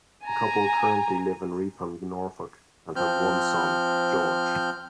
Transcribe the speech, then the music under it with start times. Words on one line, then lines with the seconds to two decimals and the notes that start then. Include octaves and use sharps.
The couple currently live in Reepham, Norfolk, and have one son, George.
0.24 G#5 A#5
2.96 F3 C4 F6 G6